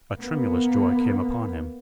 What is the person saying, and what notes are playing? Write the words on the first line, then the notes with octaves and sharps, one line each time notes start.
A tremulous joy came upon him.
A#3 B3